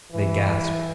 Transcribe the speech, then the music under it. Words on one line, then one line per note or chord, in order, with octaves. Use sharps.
They gasped.
E3